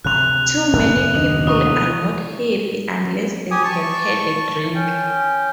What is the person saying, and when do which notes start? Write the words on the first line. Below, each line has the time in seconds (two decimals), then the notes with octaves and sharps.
Too many people are not happy unless they have had a drink.
0.05 D2 C3 C4 F#6 F7
0.73 F#2 C#3 C4
1.14 D#2 B2 D4 D#5
1.47 C3 E4 C#6 D#6
3.51 G4 G#5 D#6
3.64 A5 C#6
4.75 C#4 G5